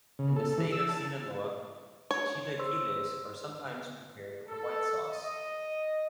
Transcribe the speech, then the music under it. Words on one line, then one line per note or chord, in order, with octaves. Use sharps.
In the state of Sinaloa, chilaquiles are sometimes prepared with a white sauce.
C#3
A4
E3
E6
A5
C#5
C5 C6 E6
A4
D#5